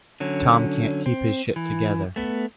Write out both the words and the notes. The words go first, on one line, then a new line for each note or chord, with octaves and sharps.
Tom can't keep his shit together.
D3 F#3 C#4
C4
E3
A3 B3